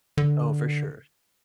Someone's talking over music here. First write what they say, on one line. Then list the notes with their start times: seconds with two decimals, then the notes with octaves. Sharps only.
Oh, for sure.
0.18 D3